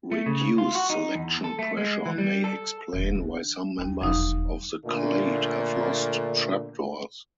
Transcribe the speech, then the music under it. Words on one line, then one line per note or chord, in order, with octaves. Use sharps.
Reduced selection pressure may explain why some members of the clade have lost trapdoors.
A3
C#3
F4
F#4
D#4
E2
A4
A3
G#3
E3
G3
A4
E1 G2 E3
D4
D#2 D#4
E1 F3 F#3 D#4
A#2 D3 A3 D4